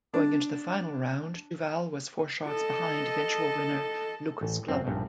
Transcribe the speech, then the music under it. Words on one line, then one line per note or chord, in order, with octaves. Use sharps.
Going into the final round, Duval was four shots behind eventual winner Lucas Glover.
D4
A4 D#5
A1
F#2 C4
A#1 G2